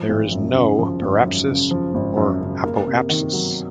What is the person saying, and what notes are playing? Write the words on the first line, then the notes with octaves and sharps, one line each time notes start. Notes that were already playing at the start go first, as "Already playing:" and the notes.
There is no periapsis or apoapsis.
Already playing: F3
G#1
F#2
C#3
F3
G#1
F#2
C#3
F3
G#1
F#2
C#3
A#3
C3
D#3
F#3